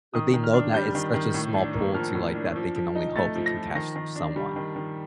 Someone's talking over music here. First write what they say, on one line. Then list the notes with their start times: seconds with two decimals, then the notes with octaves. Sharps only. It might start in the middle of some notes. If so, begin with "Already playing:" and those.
So they know that it's such a small pool too, like, that they can only hope they can catch someone.
0.14 D#3 D#6
0.34 D#3
0.44 F6
0.54 D4
0.74 G3 G6
0.95 D#3
1.14 D#3
1.34 A2
1.55 D4
1.74 A#3
1.94 F3 F6
2.15 A2
2.35 D4
2.56 F3
2.76 F3
2.95 D#4
3.16 A3 A6
3.35 F3
3.46 A#6
3.56 F3
3.75 D#3 A#6
3.96 D#3
4.16 D4
4.36 G3
4.56 D#3
4.76 D#3